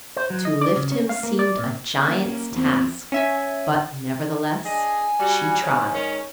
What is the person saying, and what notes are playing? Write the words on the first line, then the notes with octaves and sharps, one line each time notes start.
To lift him seemed a giant's task; but nevertheless she tried.
C5
F#3
D#5
D5
C#3
C#4
F5
A#3
D5
A#2
A#3 C#4
E2 F3 C4
C#4 E5 G#5
D4 G#4 D#5 G#5
G3 F#4
G#2 C#3
G#2 D#3 C#4